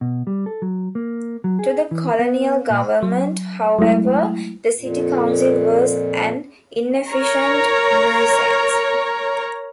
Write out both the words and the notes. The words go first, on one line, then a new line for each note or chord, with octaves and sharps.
To the colonial government, however, the city council was an inefficient nuisance.
B2
G3
A4
F#3
A#3
F#3
G#4
E3
B3
A#2
F#3
F#3 G#3 A3 E4
F2 A#2
A#4 C#5 A#5